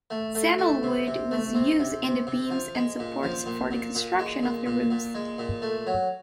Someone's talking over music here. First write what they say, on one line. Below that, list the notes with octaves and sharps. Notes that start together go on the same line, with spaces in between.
Sandalwood was used in the beams and supports for the construction of the roofs.
A3
A3
A3
C3
C3
A3
C3
C3
C3
C3
F3
G#3
A#2
F3
A#2
A#2
A#2
G#3
A#2
A#2
A#2
G#3
A#2
A3
F#3